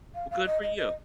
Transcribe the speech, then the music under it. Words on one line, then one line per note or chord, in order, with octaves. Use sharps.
Well, good for you.
F5
F5
D#5
D#5
D#5